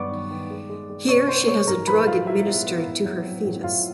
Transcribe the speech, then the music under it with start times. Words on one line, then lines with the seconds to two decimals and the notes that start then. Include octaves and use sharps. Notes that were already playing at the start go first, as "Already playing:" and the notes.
Here she has a drug administered to her fetus.
Already playing: G2 D#3 F#3 B3 D5 C#6 D6
0.11 D#3
0.31 D#3
0.50 G#3
0.69 G#3
0.89 G#3
1.08 C3 C#5 C#6
1.28 B3 C5 C6
1.48 G#3 C#5 C#6
1.67 G#2 A#4 A#5
1.87 F3 B4 B5
2.07 F3 F4 F5
2.27 G#3 E4 E5
2.46 B3
2.66 B3
2.86 A2
3.05 F#3
3.25 C4
3.44 A2
3.64 A2 F4 F5